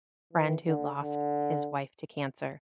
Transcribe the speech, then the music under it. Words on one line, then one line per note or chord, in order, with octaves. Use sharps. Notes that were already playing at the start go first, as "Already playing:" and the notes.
friend who lost his wife to cancer,
E3
D3
D3